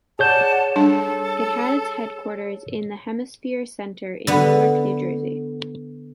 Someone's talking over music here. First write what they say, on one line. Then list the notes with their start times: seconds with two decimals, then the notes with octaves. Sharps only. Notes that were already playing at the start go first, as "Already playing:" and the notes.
It had its headquarters in the Hemisphere Center in Newark, New Jersey.
0.19 G#4 C#5 D5 F#5 A5 G6
0.76 G3 D4 A4 A5
4.27 D3 B3